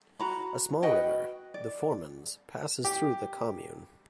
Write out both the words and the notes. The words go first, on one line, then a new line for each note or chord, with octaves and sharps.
A small river, the Formans, passes through the commune.
F#4 A#5 B5
F#4 B4 D#5 G5
D5
G4